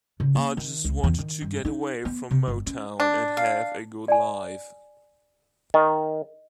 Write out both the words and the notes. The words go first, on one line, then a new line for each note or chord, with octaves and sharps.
I just wanted to get away from Motown and have a good life.
C#3
A#3
D#3
C#2
E2
D#3
G2
D#4
B3
C3
G1
C#4
D4
F5
D5 G#5
D#3 D#5